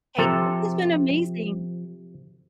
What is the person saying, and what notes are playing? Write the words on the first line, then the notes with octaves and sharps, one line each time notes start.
Hey, this has been amazing.
C3 F3 A4